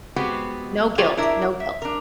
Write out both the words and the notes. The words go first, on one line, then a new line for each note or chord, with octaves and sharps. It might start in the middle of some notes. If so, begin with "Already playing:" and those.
No guilt. No guilt.
G3 G#3 B3 C4 F#4 G4
G3 F4 G#4 C#5 D5 G5
D4 E4 A#4 E5
E5
D4 A#4